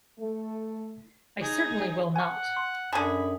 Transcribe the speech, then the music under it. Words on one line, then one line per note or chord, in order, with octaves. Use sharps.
I certainly will not!
A3
D#4 G#4
F#5 G#5 C#6
C6
F#2 D3 G#4 G#5 A5 B5